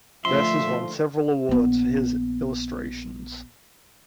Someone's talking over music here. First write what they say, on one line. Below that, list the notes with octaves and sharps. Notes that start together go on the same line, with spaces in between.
Vess has won several awards for his illustrations.
D3 D#3 F3 A3 E5 C6
A#1 B3